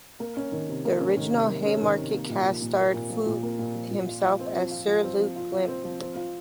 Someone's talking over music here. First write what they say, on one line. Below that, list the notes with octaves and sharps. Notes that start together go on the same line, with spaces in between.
The original Haymarket cast starred Foote himself as Sir Luke Limp.
A#3
C#4
D#3
C3
A#3
C#4
D#3
C3
A#3
C#4
D#3
C3
A#3
A#2
F3
A#2
A#3
A#2
F3
A#2
A#3
A#2
F3
A#2
F4
F3
C4
F3
F4
F3
C4
F3
F4
F3
C4
F3
C4
F4